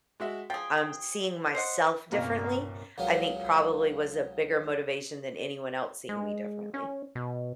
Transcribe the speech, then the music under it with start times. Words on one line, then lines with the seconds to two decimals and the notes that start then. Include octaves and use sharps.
Um, seeing myself differently, I think, probably, was a bigger motivation than anyone else seeing me differently.
0.20 G#3 F#4 E5
0.50 F3 G#4 G5
1.55 C5 D#5 F#5
2.12 C2 G2 A#2 A#3 B3 C#4 A#4
2.98 C#2 A#2 F#3 B3 F5
6.09 G#3
6.74 C#4
7.15 B2